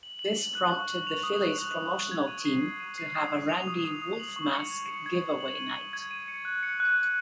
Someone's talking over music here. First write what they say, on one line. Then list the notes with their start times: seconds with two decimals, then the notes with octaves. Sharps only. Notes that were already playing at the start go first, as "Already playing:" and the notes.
This prompted the Phillies promotional team to have a Randy Wolf Mask giveaway night.
0.03 F#7
0.19 F#7
0.37 F#7
0.55 F#6
0.72 C#6
0.90 F#7
1.07 F7
1.23 D#6
1.41 D#6
1.58 F#6
1.77 F#6
1.94 F#6
2.11 G#6
2.28 D#7
2.45 C7
2.63 C7
2.80 D#7
2.98 C7
3.16 D#6
3.32 D#6
3.49 F7
3.67 D#6
3.85 D#6
4.02 D#6
4.19 F#7
4.36 C#6
4.54 C#7
4.71 G#6
4.88 C#7
5.06 G#6
5.23 F#7
5.40 F#7
5.58 D#7
5.76 F#7
5.93 G#6
6.11 D#7
6.28 C#7
6.45 F#6
6.63 C#7
6.80 F#6
6.97 F#6